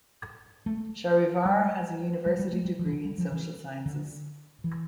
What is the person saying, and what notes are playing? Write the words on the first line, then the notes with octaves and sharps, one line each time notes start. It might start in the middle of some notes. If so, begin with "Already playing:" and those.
Shahrivar has a university degree in social sciences.
A3
G3
G3
G3
A3
G3
F3
E3
D3
G3
F3
E3
D3
E3